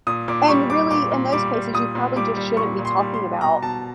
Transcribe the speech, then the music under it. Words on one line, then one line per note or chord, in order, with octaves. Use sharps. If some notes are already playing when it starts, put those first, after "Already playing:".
and really in those cases, you probably just shouldn't be talking about
A#2 D#6
A#2 D6
G3 C#6
G3 D6
A#2 D6
A#2
G3 D6
G3
A#2 D#6
A#2
G3 D6
G3
A#2 C#6
A#2
C6
G3
C6
G3
B2 A#5
B2 A5